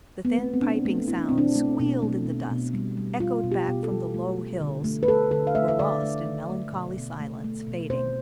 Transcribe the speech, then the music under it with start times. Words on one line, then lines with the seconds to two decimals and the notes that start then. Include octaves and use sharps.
The thin piping sounds squealed in the dusk, echoed back from the low hills, were lost in melancholy silence, fading.
0.25 B3
0.38 A3 C4
0.54 C4
0.61 B2 D4
0.85 A3
1.08 A3 E4
1.18 D4
1.29 B2 C4
1.38 D4
1.56 A3
1.79 B2
2.02 A3
2.26 B2
2.50 B2
2.74 G3
2.97 G3
3.20 G3 F4
3.44 B2
3.52 G4
3.68 B2
3.83 A4
3.91 G3
4.14 A3
4.38 A3
4.61 D3
4.84 A3
5.03 B4
5.08 A3 A4
5.31 D3 A4
5.47 F5
5.55 A3 E5
5.68 E5
5.79 D3 D5
6.03 A3
6.25 A3
6.50 A3
6.73 B2
6.97 B2
7.20 A3
7.44 A3
7.67 B2
7.90 B2 C5